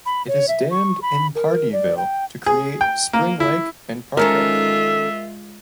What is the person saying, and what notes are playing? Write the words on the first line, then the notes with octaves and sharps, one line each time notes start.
It is dammed in Pardeeville to create Spring Lake and Park Lake.
B5
C#5
E5
C#6
B5
A#4
D5
G5
G#4
G5
A#3
E4
D#3 G#3 C#4 F4 A4 A#4 E5